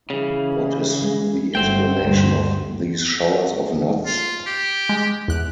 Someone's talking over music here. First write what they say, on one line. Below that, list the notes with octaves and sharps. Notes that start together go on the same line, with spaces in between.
What is the explanation of these showers of nuts?
C#3 E3
G#3
G1 A3 F#4 C5 G5
D2 G2
F4
G4
G#3
E2 F#6